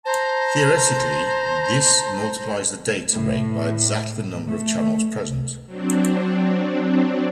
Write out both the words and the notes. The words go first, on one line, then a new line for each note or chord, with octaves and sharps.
Theoretically this multiplies the data rate by exactly the number of channels present.
C5 A5 A#5
A2
A3
F#3 C4 D4